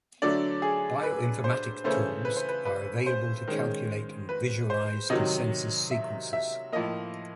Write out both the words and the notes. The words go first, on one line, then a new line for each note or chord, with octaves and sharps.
Bioinformatics tools are able to calculate and visualize consensus sequences.
D3 F#3 A3 D4 D5
G#4
B4
C5
C#3 E3 A3 C#4 C5
B4
C5
B4
B4
C5
D#3 G#3 C#4
B4
C5
C3 D#3 F#3 D#5
E5
E5
A2 F3 A#3 D#5